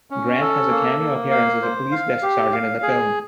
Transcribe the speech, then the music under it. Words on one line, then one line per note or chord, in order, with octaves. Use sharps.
Grant has a cameo appearance as a police desk sergeant in the film.
C#4
A4
A#3
A#3
F5
C5
F5
G4
F5
G#4